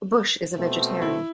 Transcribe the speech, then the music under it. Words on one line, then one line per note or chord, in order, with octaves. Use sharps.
Bush is a vegetarian.
B2 A3 C4
E4